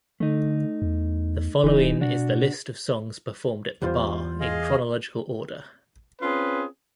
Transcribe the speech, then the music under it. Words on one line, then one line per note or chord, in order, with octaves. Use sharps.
The following is the list of songs performed at the bar in chronological order.
D3 A3 D#4
E2
D#1 E3 D#4
B2 D4 F#4
E2 G3 F4 C5
G#4 D#5 F5
C4 C#4 F4 G#4 B4